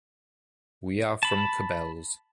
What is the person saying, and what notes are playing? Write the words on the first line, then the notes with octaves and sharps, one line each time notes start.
We are from Cubelles.
A5 B5